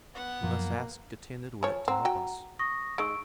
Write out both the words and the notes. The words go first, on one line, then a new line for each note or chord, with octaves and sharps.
"We must ask Getanittowit to help us."
B3 F#5
F#2 F3 A#3
F3 C#5 G#5
C4 F#5 A#5
F#4 G5
C#6 D#6 A#6
G#3 D#4 C#6 E6 D7